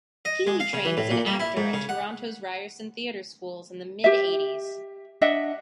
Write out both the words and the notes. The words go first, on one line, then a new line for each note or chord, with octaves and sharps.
Healey trained as an actor at Toronto's Ryerson Theatre School in the mid -eighties.
D#5
G#3
F5
C#3
E3
A2
A#2
G3
E4
G#2
C#3
F#5
G4 E5
D4 D#5 E5 F#5